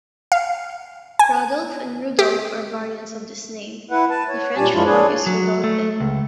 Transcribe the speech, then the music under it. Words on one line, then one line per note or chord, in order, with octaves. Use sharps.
Rodulf and Rudolf are variants of this name; the French form is "Rodolphe".
F5
G#5
G4
E4 B4 F#5
B4 A5
C#5
A#2 G3 G4 C#5 G#5 A5
F#2 F3 G#3 D4 E4 F4
D4 G#4 B4 C#5 D5
F#3
A3
C#2